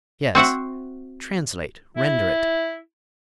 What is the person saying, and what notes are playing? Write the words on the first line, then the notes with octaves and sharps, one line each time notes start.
"Yes, translate, render it."
C4 F#4 E5 F#5
E4